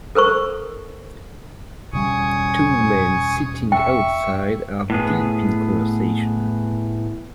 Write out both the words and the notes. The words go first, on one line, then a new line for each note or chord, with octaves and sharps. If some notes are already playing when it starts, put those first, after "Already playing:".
Two men sitting outside are deep in conversation.
A4 A#4 C5 C#6
E1 C#3 G3 G#5 C#6 D#6
E5 G5 C#6
A2 B3 G#4